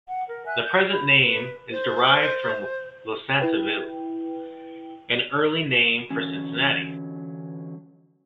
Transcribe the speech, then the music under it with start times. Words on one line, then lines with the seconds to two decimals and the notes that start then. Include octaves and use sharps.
The present name is derived from Losantiville, an early name for Cincinnati.
0.08 F#5
0.28 A#4
0.46 E5 G#5 F#6
0.64 G6
0.90 B5
1.22 B4
1.72 C5
3.39 E4 B4 G5
6.10 D3 E3 F#3 C#4